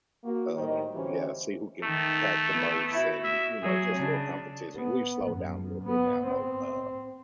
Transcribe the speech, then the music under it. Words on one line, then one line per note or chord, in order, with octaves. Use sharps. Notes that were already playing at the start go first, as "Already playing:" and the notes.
Uh, yeah. See who can pack the most and, you know, just little competition. We've slowed down a little bit now, though, uh,
A#3 F#4
A2 D#3 G3 C5 D#5
D2 E3 C#4 F#4 G4 C5
D#3 A3 D#4
B3
E4 F#4
E5
F#3 G#4
C#3 D4
B3
F#2
B3
C4